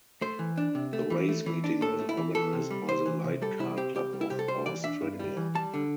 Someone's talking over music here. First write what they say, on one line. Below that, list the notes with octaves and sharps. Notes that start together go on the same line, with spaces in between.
The race meeting was organised by the Light Car Club of Australia.
A3 C5
E3
D4
C3
A3
E3
A3
E3
D4
A2 A4
A3
E4
E3
E3 A4
C3
G3
C2 C5
E3
C3
G3 A4
C3 E4
C4 G4
C2 G4
G3
E4
C3 G4
A4
G3 C5
E3 D5
D4 E5
G2
G3
E3
G3 A5
D3